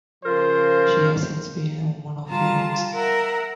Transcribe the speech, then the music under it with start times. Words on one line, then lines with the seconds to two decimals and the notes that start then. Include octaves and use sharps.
She has since been a woman of few words.
0.25 C#3 F3 F4 A#4 C5
2.28 G3 F4 A5 A#5
2.93 A#4 E5 F#5 A#5